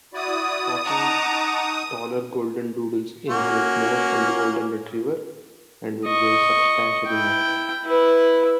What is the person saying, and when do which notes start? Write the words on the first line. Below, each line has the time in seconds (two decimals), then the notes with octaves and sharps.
Often, taller goldendoodles inherit more from the golden retriever and will weigh substantially more.
0.13 E4 F#4 D5 D#6
0.86 D#4 F#5 A5 A#5 C#6 D6
3.30 A#3 C#4 F#4
6.06 D#5 C#6
7.07 E4 G5
7.86 E4 B4